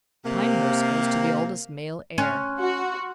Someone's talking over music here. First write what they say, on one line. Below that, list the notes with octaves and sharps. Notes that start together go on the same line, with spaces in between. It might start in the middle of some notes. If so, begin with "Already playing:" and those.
Pinehurst goes to the oldest male heir.
C3 A#3
C#4 C6 F6 F#6
F#4 C6